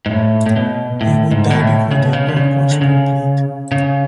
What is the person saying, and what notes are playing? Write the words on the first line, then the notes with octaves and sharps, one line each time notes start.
He would die before this work was complete.
G#2
A2
A2
B2
A2
G#2
B2
A2
C#3
B2
C#3
D3
C#3
D3
C#3
C#3